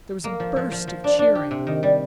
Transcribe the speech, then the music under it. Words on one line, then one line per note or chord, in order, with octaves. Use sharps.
There was a burst of cheering.
A#3
F3
F3
F3
F3
D4
D4
G4
C3
D#3
G3